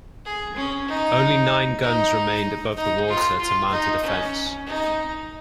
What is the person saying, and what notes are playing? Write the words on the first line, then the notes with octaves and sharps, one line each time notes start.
Only nine guns remained above the water to mount a defense.
G#4
C#4
D#4
D#4
D#4
F4
F4
D#4
C#4
D#4